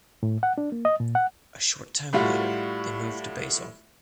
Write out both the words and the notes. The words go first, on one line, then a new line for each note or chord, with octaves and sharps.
A short time later they moved to Basel.
A2
F#5
D4
A#3
D#5
A#2
F#5
A2 G3 F4 F#4